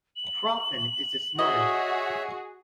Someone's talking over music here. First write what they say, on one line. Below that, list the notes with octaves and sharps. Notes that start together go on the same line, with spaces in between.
Proffen is the smarter one.
F#7
F#4 G#4 C#5 D#5 E5